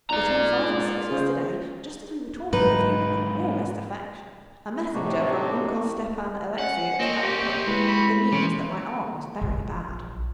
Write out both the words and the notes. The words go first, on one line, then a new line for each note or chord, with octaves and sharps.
Between five and six yesterday, just as we were talking of you with the warmest affection, a messenger from Uncle Stepan Alexeyitch galloped up with the news that my aunt was very bad.
B1 F4 D5 A#5
G#2
C#3 C5
G#2 F#3 D#4 B4
A2 C3 D4 D#4 F#4
C#4 F#5
A#3 C4 C#4 D#5
G4
G#3 E4 B4
B5
C3 E3 C#4
A#1 F#3